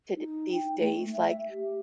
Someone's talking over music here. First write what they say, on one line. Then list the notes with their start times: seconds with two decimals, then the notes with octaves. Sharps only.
to d these days? Like,
0.16 D#4
0.52 G5
0.79 A3
1.13 E5
1.49 G4